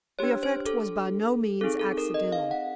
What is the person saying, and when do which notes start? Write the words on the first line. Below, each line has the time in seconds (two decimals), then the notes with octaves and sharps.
The effect was by no means accidental.
0.19 D4 G4 C#5
0.43 C5
0.66 A4
1.61 C4 D#4 G#4 A4
1.80 A4
1.98 A#4
2.14 D#5
2.32 F5
2.51 F#5